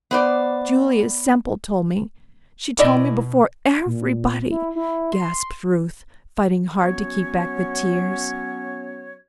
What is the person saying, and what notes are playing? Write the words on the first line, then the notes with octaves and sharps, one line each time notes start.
"Julia Semple told me--she told me before everybody!" gasped Ruth, fighting hard to keep back the tears.
B3 C5 D5
B2 E4 D5 D#5
A#2
E4
E4
C6
F#3 B3 C#4 C#5